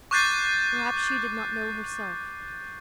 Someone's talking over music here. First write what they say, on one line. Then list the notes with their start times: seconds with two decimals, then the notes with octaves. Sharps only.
Perhaps she did not know herself.
0.11 C#6 D6 F#6 G6 A6 C7